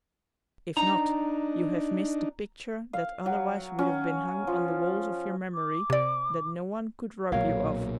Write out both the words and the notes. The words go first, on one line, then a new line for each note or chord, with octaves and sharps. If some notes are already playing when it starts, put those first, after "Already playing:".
If not, you have missed a picture that otherwise would have been hung on the walls of your memory, that no one could rob you of.
D4 D#4 A#5
F5
F#3
C#4
F3
D6
C3 D5
B1 A#2 F#3 A#4 C#5 F5